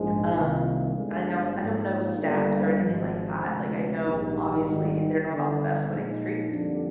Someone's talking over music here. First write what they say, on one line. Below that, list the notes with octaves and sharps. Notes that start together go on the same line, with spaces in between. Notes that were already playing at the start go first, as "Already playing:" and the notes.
Um, I know I don't know stats or anything like that. Like, I know, obviously, they're not on the best winning streak,
Already playing: A#1 G#2 F3 G#3
C2 C3 D#3 A#3 F4
G1 G2 D3 G#3
G#2 F3 A#3 F4
G1 G2 D3 G3 A#3
G#1 G#2 F3
D2 C3 F3 G#3
A#1 G#2 G3 A#3 D#4
G#1 G#2 D#3 G3
G1 G2 D3
A#2 F3 G#3 D#4
F2 D3 G3 A#3 D4